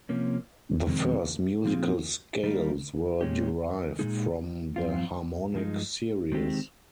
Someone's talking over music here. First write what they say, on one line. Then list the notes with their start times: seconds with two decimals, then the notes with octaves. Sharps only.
The first musical scales were derived from the harmonic series.
0.09 C3 F3 A#3 C#4
0.87 F2 C3 D#3 G#3 C4
1.65 A#2 F3 C4 F4 G#4
2.43 D#3 G3 A#3 D#4
3.21 A#2 G#3 C#4 G4
3.99 A#2 F3 G#3 D#4 G#4
4.76 G2 F3 C4 F4
5.55 G2 F3 G#3 D#4
6.32 D#3 G#3 C4 G4